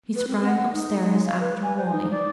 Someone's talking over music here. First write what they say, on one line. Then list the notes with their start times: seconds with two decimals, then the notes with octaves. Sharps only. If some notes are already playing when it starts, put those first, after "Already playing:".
He sprang upstairs after Wally.
0.16 B4
0.28 C4
0.45 F#5
0.73 D#4
1.01 G#3
1.26 F5
1.40 B4
1.63 G#5
1.77 C5
1.92 D#4
2.11 D5